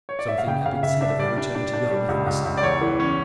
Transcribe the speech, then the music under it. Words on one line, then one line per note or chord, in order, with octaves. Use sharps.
Something had been said of her returning to Yarmouth in the summer.
C#5
D5
E5
F5
C#3 G5
C#3 F5
C#3 E5
D4 E5
G3 D5
D4
D4
D4
G3
C#2
C#2
C#2
D5
E2 C#5
E3
C#4